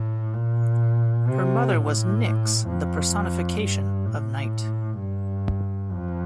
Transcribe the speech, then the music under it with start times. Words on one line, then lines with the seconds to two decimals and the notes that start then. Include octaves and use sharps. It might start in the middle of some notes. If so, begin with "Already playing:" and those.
Her mother was Nyx, the personification of night.
Already playing: A2
0.34 A#2
1.27 C3
1.74 A2
2.67 F2
3.59 G2
4.06 A2
4.99 G2
5.91 F2